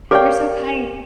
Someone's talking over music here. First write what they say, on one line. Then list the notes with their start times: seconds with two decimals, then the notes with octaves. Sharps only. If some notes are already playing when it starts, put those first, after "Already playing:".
You're so kind.
0.11 G4 A#4 C#5 D5 F5 G5